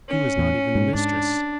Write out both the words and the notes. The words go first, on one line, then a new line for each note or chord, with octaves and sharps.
She was not even the mistress.
C#4
E2
G#2
G#2 D4